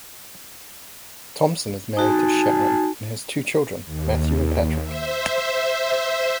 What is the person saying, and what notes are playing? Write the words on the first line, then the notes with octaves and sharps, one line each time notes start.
Thompson is married to Sharon and has two children, Matthew and Patrick.
D#4 F#4 G#5 A5
D#2
C5 E5